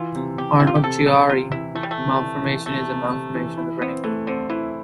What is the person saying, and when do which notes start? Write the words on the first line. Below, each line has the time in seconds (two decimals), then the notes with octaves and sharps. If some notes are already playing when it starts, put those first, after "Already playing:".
Arnold-Chiari malformation is a malformation of the brain.
Already playing: E3 F4
0.15 C3
0.38 C3 G4
0.60 C3 E4
0.67 F4
0.75 G4
0.84 C3 A4
1.06 C3 A4
1.29 C3 F4
1.52 E3 E4
1.75 E3 A3
1.83 G3
1.91 A3
1.98 C3
2.21 E3
2.43 E3
2.66 C3 A3
2.90 C3
3.12 C3
3.35 E3
3.58 E4
3.81 B3 C4
4.04 E3 A3
4.27 D3 C4
4.49 E3 E4